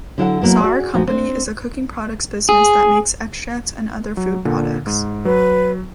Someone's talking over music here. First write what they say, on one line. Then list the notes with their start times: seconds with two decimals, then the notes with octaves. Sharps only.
Sauer Company is a cooking products business that makes extracts and other food products.
0.18 D3 F#3 E4 A4 F5 F#5
0.41 F#3 A#3 B3 E4
0.60 F#4 G#4 D5
0.94 A#2 F3 D#4 F#4
1.08 C4 D4
2.49 G#4
4.17 F#3
4.45 A#2 D3
4.87 G#2
5.25 F#3 B4